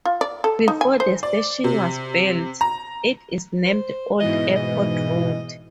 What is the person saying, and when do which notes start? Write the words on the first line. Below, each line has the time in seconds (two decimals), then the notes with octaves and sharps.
Before the station was built, it is named Old Airport Road.
0.05 F4
0.21 D5
0.44 A4
0.68 D#4
0.81 G#5
1.00 C5
1.23 D5
1.64 C3
2.61 A#5
3.65 C5
4.20 G#2 B2 E3 D#5
4.56 D#5